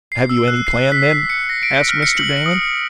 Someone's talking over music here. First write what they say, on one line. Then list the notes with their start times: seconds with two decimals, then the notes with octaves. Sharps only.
"Have you any plan, then?" asked Mr. Damon.
0.12 C7
0.29 E6
0.48 F#6
0.67 C7
0.92 B6
1.30 C#7
1.49 A#6
1.63 D7
1.89 F6
2.02 C#7
2.18 F#7
2.46 D#6